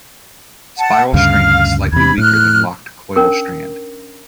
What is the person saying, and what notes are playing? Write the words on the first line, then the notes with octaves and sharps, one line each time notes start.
Spiral strand is slightly weaker than locked coil strand.
F#5 A5
D2 G2 C#3 F5 F6
E2 C3 B5 G#6
A2 F6 F#6
C#4 D4 A#4 D#6